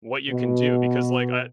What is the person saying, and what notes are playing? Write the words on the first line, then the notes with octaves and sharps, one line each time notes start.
what you can do, because, like, I, eh, eh
B2